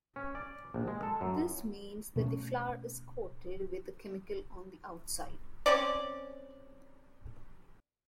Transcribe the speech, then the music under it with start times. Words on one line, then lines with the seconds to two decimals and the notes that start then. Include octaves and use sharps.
This means that the flower is coated with a chemical on the outside.
0.16 C#4
0.35 D5
0.74 A#1
0.88 G#3
1.03 A4
1.21 F#2
2.16 B2 A3 C4 C#4
5.66 C4 C#4 D5